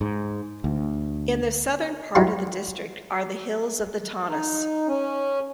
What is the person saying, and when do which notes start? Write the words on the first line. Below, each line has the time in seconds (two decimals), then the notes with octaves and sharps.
In the southern part of the district are the hills of the Taunus.
0.01 G#2
0.64 D2
2.15 F#3 G3 C4 D#4 E4 F#4
4.29 D#4
4.88 C#4